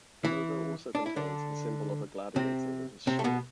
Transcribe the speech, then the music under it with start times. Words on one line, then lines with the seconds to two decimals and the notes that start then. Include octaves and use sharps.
The logo also contains the symbol of the Gladiator with his shield.
0.24 E3 E4
0.95 D4
1.06 E4
1.16 D3 D4
2.36 C3 C4
3.07 C3 C4
3.19 A3
3.24 B2 B3